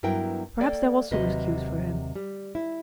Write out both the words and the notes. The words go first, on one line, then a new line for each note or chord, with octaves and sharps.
Perhaps there was some excuse for him.
G2 F#3 B3 E4 A#4 G5
A#3 A4 D5 G5
D#2 C3 F#3 B4 D#5
G3
E4